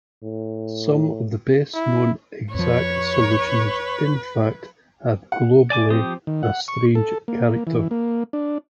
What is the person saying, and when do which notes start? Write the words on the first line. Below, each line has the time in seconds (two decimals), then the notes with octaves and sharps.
Some of the best known exact solutions, in fact, have globally a strange character.
0.23 A2
1.74 E4
2.54 F2 F3 B4 C#5
5.32 F#5
5.70 D5 G#5 D6
5.90 F3 C4 G4 D#6
6.27 D#3
6.43 F#5
6.68 C#6
6.95 A4
7.28 A#3
7.67 E3
7.91 A#3
8.33 D4